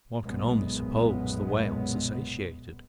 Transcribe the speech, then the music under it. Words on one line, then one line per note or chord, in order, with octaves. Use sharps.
One can only suppose the whales are satiated.
B1 F#2 A#2 G#3 B3